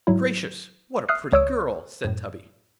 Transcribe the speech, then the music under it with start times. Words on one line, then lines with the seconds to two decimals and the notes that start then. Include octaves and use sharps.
'Gracious! what a pretty girl!' said Tubby.
0.07 G#2 F#3 E4
1.09 E5 D#6 F6 F#6 C7
1.33 C#2 C#5 D#6 E6 D7
2.04 F#2 A2